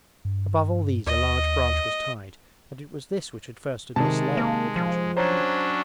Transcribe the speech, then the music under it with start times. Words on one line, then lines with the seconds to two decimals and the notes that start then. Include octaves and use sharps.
Above all these a large branch was tied, and it was this which at first had misled Lukashka.
0.25 G2
1.07 D#2 D#5
3.96 C3 D#3 G#3 A5
4.37 A#3
4.76 F3
5.17 F#3 C#4 D4 C5 C#5 A#5